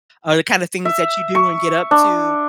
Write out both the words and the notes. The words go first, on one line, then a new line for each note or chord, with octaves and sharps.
or the, kinda, things that you do and get up to,
E5
C#6
D4